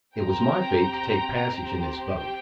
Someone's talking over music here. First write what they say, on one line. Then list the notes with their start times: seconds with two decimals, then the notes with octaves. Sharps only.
It was my fate to take passage in this boat.
0.16 C4 G4 G5 A#5
1.47 C4 G4
2.11 G5